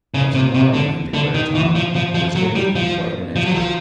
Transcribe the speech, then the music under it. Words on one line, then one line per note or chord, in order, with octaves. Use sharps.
"That's a monoplane," declared Tom, who was getting to be quite an expert.
C#3
C3
C3
D3
D3
D#3
E3
F3
F3
F3
F#3
G3
F3
F3
F#3
F3